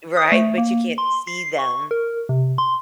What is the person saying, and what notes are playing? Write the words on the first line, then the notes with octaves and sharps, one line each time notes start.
Right, but you can't see them.
D#6
A3
A#3
C6
C7
C#6
A#4
C3
C6